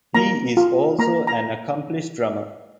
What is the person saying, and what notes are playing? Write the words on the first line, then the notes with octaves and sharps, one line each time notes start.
He is also an accomplished drummer.
A#3 A#5
F4
A#3 A#5
A#5